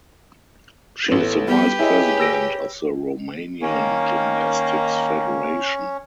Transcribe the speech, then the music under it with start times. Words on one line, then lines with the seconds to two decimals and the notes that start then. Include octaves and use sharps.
She is the vice president of the Romanian Gymnastics Federation.
1.08 A1 A2 B3
1.48 G3 B3 G4 B4
1.79 E4 G#4 C#5 D#5
2.20 E6 A#6 D7
3.62 D#3 A#3 C#4